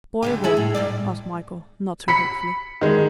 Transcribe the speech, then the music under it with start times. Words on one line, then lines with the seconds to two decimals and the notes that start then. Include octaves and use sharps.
"Boy or girl?" asked Michael, not too hopefully.
0.23 D2 C#3 G4
0.44 E4 G#4 A4
0.57 A2
0.75 G#2 G3 D5
2.08 B5 B6 C#7
2.81 D#3 G#3